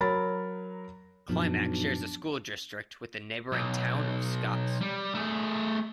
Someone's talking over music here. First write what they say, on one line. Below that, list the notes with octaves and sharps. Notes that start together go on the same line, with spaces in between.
Climax shares a school district with the neighboring town of Scotts.
F#3 A#4 B5 A6
B1 F#2 A#2 F3 D4
B1
G3
A3 G#4